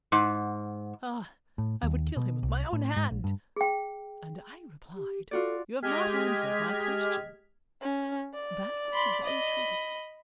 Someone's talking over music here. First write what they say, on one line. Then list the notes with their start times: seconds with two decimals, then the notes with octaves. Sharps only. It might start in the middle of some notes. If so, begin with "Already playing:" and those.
'Ah, I would kill him with my own hand!' And I replied, 'You have not answered my question.' That was the very truth.
0.12 G#2
1.58 A2
1.83 D#2
2.17 B2
2.43 C2
2.73 A2
2.97 G#2
3.11 A#1
3.24 G2
3.56 G#4 G5
4.96 G4
5.31 F4 F#4 A4 D5
5.82 G#3 G4 D#5 F6 G#6 B6
7.82 C#4
8.34 D5
8.94 B5 C6
9.24 D#5 B5